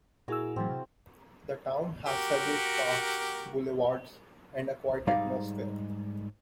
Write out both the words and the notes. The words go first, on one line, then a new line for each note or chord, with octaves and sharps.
The town has several parks, boulevards and a quiet atmosphere.
A#2 E4 F#4 G#4 A#4 E6
A2 E3 F#3 C4 E4 A5
C3
F#4 G4 A#4
G#2 G3 G#3 D#4 D5 F5